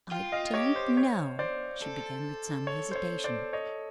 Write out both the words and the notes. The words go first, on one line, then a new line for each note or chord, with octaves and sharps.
"I don't know," she began with some hesitation.
F4 F5 G5
D#5 F5
G4 C#5 D#5
C5
C#5
C5 D5
A4
C#5
C5
C#5
C5 D5
C#5 D#5